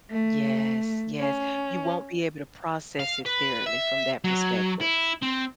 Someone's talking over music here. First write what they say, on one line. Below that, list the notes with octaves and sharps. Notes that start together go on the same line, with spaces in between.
Yes, yes, you won't be able to process it thoroughly from that perspective,
A3
C#4
F5
B4
E5
F#3
E4
C4